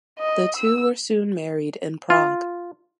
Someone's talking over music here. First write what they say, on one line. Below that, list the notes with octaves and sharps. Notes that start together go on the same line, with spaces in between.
The two were soon married in Prague.
D#5
E6
F4